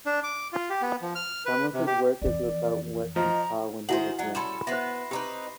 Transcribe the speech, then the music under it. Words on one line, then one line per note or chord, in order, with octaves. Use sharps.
Some of his work is about what he saw when he was young.
D4
D6
F4
G4
B3
F3
F6
B4
C3
G4
F2 E3 D5
F3 D#5 A#5
D#3 E4 F#4 G#4 C5 E5 F#5 F#7
F#3 D4 D#5 F#5
G3 C#4 A4 B5 C6 E7
B3 B4 C5 E5 A#6 C7
C4 D#4 G4 B4 B5 D6